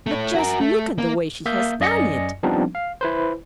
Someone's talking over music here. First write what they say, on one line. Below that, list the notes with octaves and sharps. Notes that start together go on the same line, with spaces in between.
But just look at the way she has done it!
A3 C#5
F#4 A#4
A3
A#3
A#3 E5 F5 D#6 G6
F#2 D5 D#5 G#5 A#6 C#7
F3 G3 B3 C4 D4 D#4
F5
E4 B4 C5